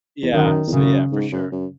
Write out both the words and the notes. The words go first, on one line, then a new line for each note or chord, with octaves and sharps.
Yeah, so, yeah, for sure.
E2
F#2 D#3
E2
F#2 C#3
G#2
F#2
F#2